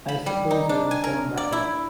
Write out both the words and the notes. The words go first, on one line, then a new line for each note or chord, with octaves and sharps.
I suppose I was born that way.
B5
G3
D#4
D4
G#5
A#4
D5
E4